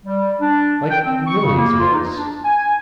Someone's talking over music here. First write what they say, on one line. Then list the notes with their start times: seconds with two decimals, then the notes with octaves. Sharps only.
Like Milly's was.
0.05 G3
0.41 D4
0.90 G5
1.04 C4
1.27 C#6
1.42 C#3
1.57 A#3
1.79 F4
1.93 D#4
2.16 D4
2.44 G#5